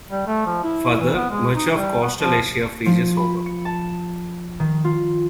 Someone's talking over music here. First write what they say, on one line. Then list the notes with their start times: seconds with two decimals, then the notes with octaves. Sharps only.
Further, much of coastal Asia freezes over.
0.11 G3
0.27 A3
0.46 F3
0.63 E4
1.00 E3
1.14 B3
1.31 G#3
1.55 D#4
1.73 G3
2.01 B3
2.18 F3
2.86 F3
3.17 B5
3.46 C#7
3.65 A5
4.60 D#3
4.84 F4